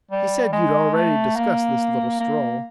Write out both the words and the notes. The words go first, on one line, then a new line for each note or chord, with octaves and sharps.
"He said you'd already discussed this little stroll."
G3
G#3
A3
A#3
A#3